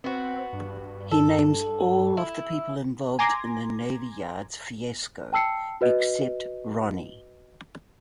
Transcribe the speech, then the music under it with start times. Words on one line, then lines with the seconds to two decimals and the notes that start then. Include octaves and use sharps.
He names all of the people involved in the Navy Yards fiasco, except Ronnie.
0.04 B3 C4 F#4
0.53 G2
1.11 A4
2.17 E4
3.19 G#5 A#5 C6 D6 G#6 A#6
5.33 G5 A5 E6 C7 C#7
5.81 F#4 B4 D#5